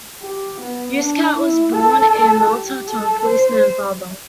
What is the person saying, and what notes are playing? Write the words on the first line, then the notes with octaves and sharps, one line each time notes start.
Muscat was born in Malta to a policeman father.
G4
B3
D4
E4
A4
G4
A4
C5